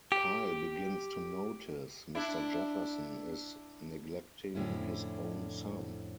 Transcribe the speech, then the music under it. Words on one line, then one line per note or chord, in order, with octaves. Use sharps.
Kyle begins to notice Mr. Jefferson is neglecting his own son.
G4
D4 E4
F2 A2 D3 C#4 E4